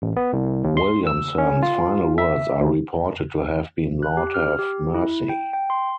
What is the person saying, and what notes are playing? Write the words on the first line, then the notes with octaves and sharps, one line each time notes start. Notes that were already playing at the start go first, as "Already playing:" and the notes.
Williamson's final words are reported to have been "Lord have mercy".
A1
B3
C2
D#2
C6
E6
C#4
F4
E5
D2
F#6
G4
F6
G4
E4
G5
G5
C6